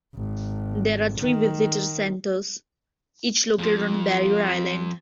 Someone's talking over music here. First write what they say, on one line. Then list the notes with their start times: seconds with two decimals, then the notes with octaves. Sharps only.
There are three visitor centers, each located on a barrier island.
0.16 G#1
1.19 D#3
3.59 F2 F3